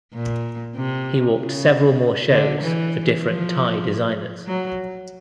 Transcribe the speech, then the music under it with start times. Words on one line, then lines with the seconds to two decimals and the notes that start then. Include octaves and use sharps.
He walked several more shows for different Thai designers.
0.14 A#2
0.76 C3
1.37 C#3
2.30 D3
2.61 E3
3.23 F3
4.47 F#3